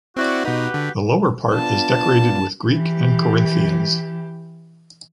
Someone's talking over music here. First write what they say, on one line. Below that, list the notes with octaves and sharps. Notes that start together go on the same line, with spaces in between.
The lower part is decorated with Greek and Corinthians.
C4 E4 F#4 D5
B2 D#4 F#4 G4 B4
D3
B3 D4 F4 A5
E3 G4